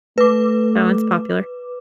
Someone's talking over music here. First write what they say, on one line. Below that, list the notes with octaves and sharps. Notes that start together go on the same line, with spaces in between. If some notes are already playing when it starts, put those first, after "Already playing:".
that one's popular.
A3 B4 D6